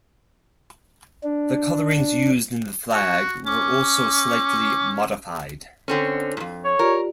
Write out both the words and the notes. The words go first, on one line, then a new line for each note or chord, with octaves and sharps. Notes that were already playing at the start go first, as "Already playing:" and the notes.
The colourings used in the flag were also slightly modified.
D4
F#4
C#4 D6
D3 C4 C#4 A4
F2 G#2
C#5
F4 G4 A#4 D5